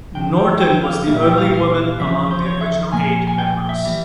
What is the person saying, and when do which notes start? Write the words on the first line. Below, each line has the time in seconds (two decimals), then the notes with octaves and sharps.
Norton was the only woman among the original eight members.
0.15 G#2 F3 G5
0.37 G5
0.61 G5
0.84 F5
1.07 A#2 G3 A#3 E5
1.23 G5
1.38 F5
1.54 F5
1.99 E2 C#3 F3 E5
2.31 C5
2.46 C#5
2.61 E5
2.92 A#2 F3 A#3 G#5
3.27 G#5
3.38 G5
3.69 E5
3.85 E3 G3